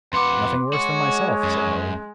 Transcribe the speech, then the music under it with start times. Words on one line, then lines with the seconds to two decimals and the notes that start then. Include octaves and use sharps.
"Nothing worse than myself," said Billy.
0.13 F2 B4 F#5 C6 D6
0.73 G#3 F#4 C#5
1.43 F#2